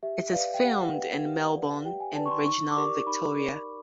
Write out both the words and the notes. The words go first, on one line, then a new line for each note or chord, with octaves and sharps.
It is filmed in Melbourne and regional Victoria.
G4 E5
B4 D5 F5
G5
G4 F#5
B4 D5
G4
B4 D5
G4 G5
G#5
B4 D5 A5
C#6
C6
D#4 C#6
D6
G4 A#4 D5 C#6
D#4 B5
G4 A#4 D5